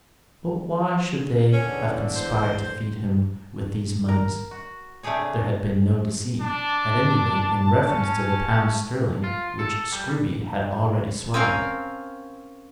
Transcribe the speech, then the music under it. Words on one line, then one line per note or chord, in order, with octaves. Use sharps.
But why should they have conspired to feed him with these moneys? There had been no deceit, at any rate, in reference to the pounds sterling which Scruby had already swallowed.
E2 D3 C#4
C5
A#4
F#4
C3 A3 D4 G4 G#4 C#5
D4 A5
C#4
F4
A4
G3
C4 C#4 A#4 F5